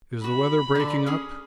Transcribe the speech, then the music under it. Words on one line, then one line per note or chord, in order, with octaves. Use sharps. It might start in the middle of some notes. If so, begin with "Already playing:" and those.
Is the weather breaking up?
F#4 B5
D3 A5
C#4 G#4